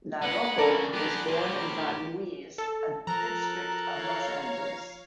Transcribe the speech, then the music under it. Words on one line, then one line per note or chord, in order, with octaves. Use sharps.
LaRocco was born in Van Nuys, a district of Los Angeles.
G#3 B4 F#5
C#3 E3 A4 A#4 D5
B3 G4 G#4
A2 F3
A4
F3 A4 A#4 A#5 F#6
C#5 F5